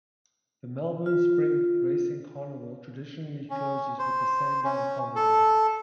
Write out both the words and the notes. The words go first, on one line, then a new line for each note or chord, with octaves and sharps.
The Melbourne Spring Racing Carnival traditionally closes with the Sandown Carnival.
F4
C#4
C5
C#4
A4